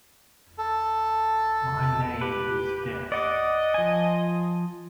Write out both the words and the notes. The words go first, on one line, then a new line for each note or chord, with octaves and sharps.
My name is death!
A4
G4 B4
D5 D#5 F#5 D6
F3 G#5